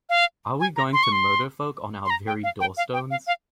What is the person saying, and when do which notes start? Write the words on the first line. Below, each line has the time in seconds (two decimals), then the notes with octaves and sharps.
Are we going to murder folk on our very door-stones?
0.10 F5
0.60 G#5
0.76 A#5
0.93 C6
1.03 C#6
1.12 C6
2.05 C6
2.10 A#5
2.27 G5
2.44 F5
2.60 G5
2.77 F5
2.93 G5
3.11 F5
3.27 F5